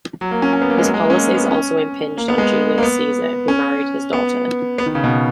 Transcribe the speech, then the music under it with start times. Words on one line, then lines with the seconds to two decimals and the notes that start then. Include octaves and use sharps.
His policies also impinged on Julius Caesar, who married his daughter.
0.21 F#3
0.31 A#3
0.42 C#4
0.53 C#4
0.62 B3
0.70 A#3
0.78 G#3
0.86 F#3
0.94 G#3
1.02 A#3
1.10 C#4
1.19 A#3
1.34 B3
1.51 C#4
2.17 A#3
2.28 B3
2.38 G#3
2.78 A#3
2.83 B3
3.48 C#4
4.13 B3
4.78 B3
4.86 D#3
4.95 C#3
5.04 B2